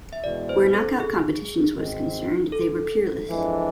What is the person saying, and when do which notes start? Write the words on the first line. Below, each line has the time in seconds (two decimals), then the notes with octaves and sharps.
Where knock-out competitions was concerned, they were peerless.
0.13 E5
0.24 E2 B2 G#3 D5
0.49 C5
0.75 A4
1.00 G#4
1.77 G#1 G#2 G#3 C4
2.52 A4
3.29 F2 E3 G#3 D4